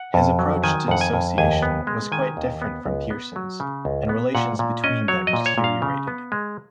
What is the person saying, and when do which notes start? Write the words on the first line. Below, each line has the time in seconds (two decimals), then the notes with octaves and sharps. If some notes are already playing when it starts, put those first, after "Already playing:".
His approach to association was quite different from Pearson's and relations between them deteriorated.
Already playing: F#5
0.14 F2
0.39 F#3
0.64 D#3 G#5
0.88 F2 F#5
1.01 G#5
1.14 F2
1.38 D#2 G#5
1.62 B3
1.87 G#3
2.12 D#3 G#5
2.37 D#2
2.62 B3
2.86 C#2
3.10 B3
3.36 F#3
3.60 C#3
3.85 C#2
4.09 B3
4.35 A#2 F#5
4.59 A#2
4.84 C#4 D#5
5.08 F#3 C#5
5.27 D#5
5.33 A#2
5.46 C#5
5.58 A#2
5.64 F5
5.82 C#3
6.08 B3
6.32 G#3